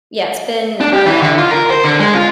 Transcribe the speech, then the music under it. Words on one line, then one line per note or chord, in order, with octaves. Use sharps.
yeah, it's been, uh
D4
G4
E3
D3
F4
A#4
C5
D3
G#3
F4